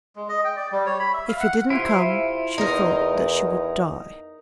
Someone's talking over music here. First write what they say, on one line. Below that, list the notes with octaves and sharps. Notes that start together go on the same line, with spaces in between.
If he didn't come she thought that she would die.
G#3
D#5
G5
D5
G3
C#5
B5
E5
F5
F#5
C3 E4 F4
E2 D#4 A#4